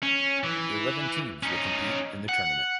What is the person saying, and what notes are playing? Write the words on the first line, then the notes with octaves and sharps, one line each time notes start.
Eleven teams will compete in the tournament.
C#4
E3
C#4 D#4
F#5